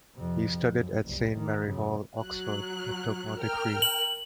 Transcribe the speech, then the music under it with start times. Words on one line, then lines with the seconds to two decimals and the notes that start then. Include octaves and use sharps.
He studied at Saint Mary Hall, Oxford, but took no degree.
0.16 F2 C3
0.70 F#2
1.06 F#1 C2
1.35 D#3
1.65 F#2 C#3
2.18 F#3 F#6
3.41 A#4 G5 F6
3.82 F#7